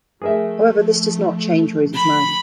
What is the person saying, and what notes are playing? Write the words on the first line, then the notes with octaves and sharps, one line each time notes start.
However, this does not change Rosie's mind.
F3 A3 G#4 A#4 E5
B5